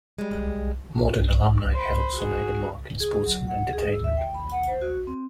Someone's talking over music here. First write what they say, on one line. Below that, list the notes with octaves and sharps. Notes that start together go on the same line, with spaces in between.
Modern alumni have also made a mark in sports and entertainment.
G3 G#3
C5 B5
F#4 G#4
G#4
F#3
F#5
G#4
E6
E5
G5
B5
F#5
C5
F#4
C4